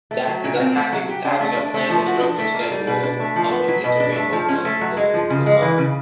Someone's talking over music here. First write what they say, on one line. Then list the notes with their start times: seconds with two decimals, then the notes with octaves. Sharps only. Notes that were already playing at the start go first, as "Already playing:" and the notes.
That's it's like having having a plan instructor schedule help you integrate both mental and physical health
0.11 A3
0.28 F#3
0.44 A#2
0.60 C4
0.77 A3
0.93 F#3
1.09 G4
1.25 D4
1.41 A3
1.57 D4
1.74 A3
1.90 F3
2.06 F#4
2.21 D4
2.38 A3
2.55 A#3
2.71 G3
2.87 B2
3.03 D4
3.20 A3
3.36 F3
3.51 B3
3.68 F#3
3.84 B2
4.00 D4
4.16 A3
4.33 F3
4.49 C#4
4.65 A3
4.81 F#3
4.97 G#3
5.14 F3
5.30 C#3
5.46 G#3
5.62 E3
5.78 C#3